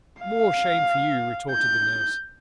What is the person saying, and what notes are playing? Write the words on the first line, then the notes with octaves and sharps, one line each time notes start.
'More shame for you,' retorted the nurse.
F5
G6